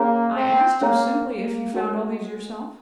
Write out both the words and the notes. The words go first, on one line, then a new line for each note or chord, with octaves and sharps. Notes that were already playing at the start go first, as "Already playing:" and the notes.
'I asked you, simply, if you found all these yourself?'
Already playing: A#3 C#4 G#4 C#5 F5 A#5
C4
A#3 C#4 G#4 C#5 F5 A#5
A#3
G#3 C#4 F#4 A#4 C#5 F#5